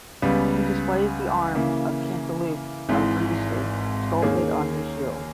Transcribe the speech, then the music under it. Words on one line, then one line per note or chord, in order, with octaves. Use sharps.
He displays the arms of Cantilupe of Greasley sculpted on his shield.
C#2 C#3 G3 B3
C#3 E3 A#3 E4
G#1 G#2 E3 G#3
D#2 D#3 A#3 C#4 G#4